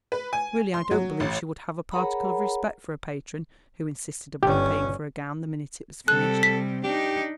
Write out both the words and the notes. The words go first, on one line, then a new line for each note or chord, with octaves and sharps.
Really, I don't believe she would have a particle of respect for a patron who insisted upon paying for a gown the minute it was finished.
B4
G#5
C6
F#3
A1
G#4 A#4 C#5 F#5 A#5 B5
G1 C#4 G4
C3 G3 A4 F#6
B6
D4 D#4 G4